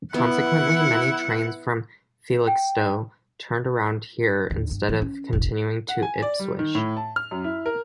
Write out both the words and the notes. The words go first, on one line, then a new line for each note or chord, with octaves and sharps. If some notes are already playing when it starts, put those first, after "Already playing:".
Consequently, many trains from Felixstowe turned around here instead of continuing to Ipswich.
B3 E4 F#5
G5
D#2 D3
G2
E3 B3
C#4
E1 A1
F#5
G#5
D5
G3
D#3
A2
A5
F6
F#2
E4
A#4